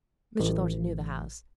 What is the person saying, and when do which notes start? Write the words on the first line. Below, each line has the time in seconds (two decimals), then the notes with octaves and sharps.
Mr. Thornton knew the house.
0.40 A1